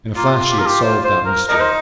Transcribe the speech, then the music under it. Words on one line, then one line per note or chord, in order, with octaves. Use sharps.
In a flash he had solved that mystery.
A#3 F4
G4
A#4
G4
C5
C5
A#4
D#4 A#4
C5